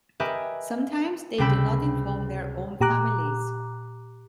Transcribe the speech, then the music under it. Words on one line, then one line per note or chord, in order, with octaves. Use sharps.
Sometimes they do not inform their own families.
G4 A#4 B4 D#5 E5 G#5
C#2 C3 G3 G5 B5 E6
A#2 G4 A#5 D6 F#6